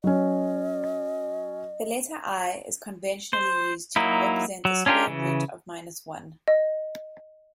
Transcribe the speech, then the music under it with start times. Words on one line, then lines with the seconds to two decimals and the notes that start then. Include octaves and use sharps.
The letter i is conventionally used to represent the square root of minus one.
0.04 F#3 C#4 D#5
3.33 C5
3.96 F#3 A#3 D#4 E4
4.65 F#3
4.86 C#4 D4 F4 G4 A#4
5.07 C#3 E3
6.48 D#5